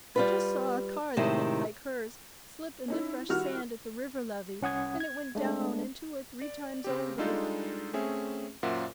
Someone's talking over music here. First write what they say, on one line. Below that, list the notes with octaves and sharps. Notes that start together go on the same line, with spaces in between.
"I just saw a car that looked like hers slip in the fresh sand at the river levee, and it went down, and two or three times over."
G3 F4 B4
A2 C3 D#3 G#3 E4
C#4 D#4 E4
D#3 G3 E4 F#4 F6
C2 C#4 F#5 D#6 G#6
G#6
G#3 A3 D4
D5
C#3 C4 G4
G3 G#3 D4 D#4 F4 A4
A3 C4 C#4 G#4 E5
F#2 A#2 F4 C5 E5 F#5